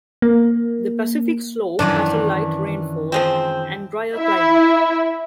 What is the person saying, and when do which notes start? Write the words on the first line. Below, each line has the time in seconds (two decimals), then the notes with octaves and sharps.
The Pacific slope has a light rainfall and dryer climate.
0.22 A#3
1.79 F#2 D#3 E3 D4
3.12 F3 G#3 C4
4.15 E4 E5